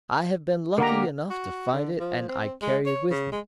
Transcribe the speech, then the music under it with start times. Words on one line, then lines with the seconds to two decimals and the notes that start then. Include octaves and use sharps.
I have been lucky enough to find it, and I carry it with me.
0.78 D3 A#3 G4 A#4 F#5 A#5
1.30 F#4
1.73 D3
2.00 F3
2.29 C4
2.62 G#3
2.86 C#5
3.11 C#3
3.32 G#3